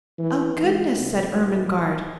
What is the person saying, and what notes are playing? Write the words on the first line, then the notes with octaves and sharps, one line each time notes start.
"Oh, goodness!" said Ermengarde.
E3
G#3
C2
D#1